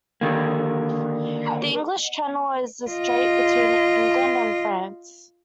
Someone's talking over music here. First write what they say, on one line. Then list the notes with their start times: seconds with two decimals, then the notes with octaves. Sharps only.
The English Channel is the strait between England and France.
0.21 D3 D#3 A#3
2.91 F4 D#5